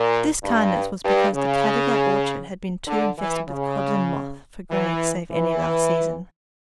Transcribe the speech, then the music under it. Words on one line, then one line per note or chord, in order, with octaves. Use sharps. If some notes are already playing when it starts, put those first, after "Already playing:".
This kindness was because the Caddagat orchard had been too infested with codlin moth for grannie to save any last season.
Already playing: A#2
G2
G2
C#3
D3
E3
C#3
E3
E3